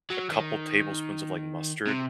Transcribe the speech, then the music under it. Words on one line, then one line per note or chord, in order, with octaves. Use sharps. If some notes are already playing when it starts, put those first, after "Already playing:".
a couple tablespoons of, like, mustard
F#3
D#3
C3